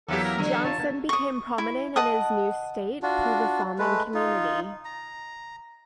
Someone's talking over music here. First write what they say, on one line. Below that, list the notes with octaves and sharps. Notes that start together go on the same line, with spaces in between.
Johnson became prominent in his new state through the farming community.
E2 F#3 A#3 B3 E4 G4 A4
A#4
D3
A4
D#4 F4 C#5 A5
A#3 B3
C#6 D#6
E4
D#5 F#5 A5 D#6
D4 F4 F#4
G#3 A3 B4
D#4 F4
A#5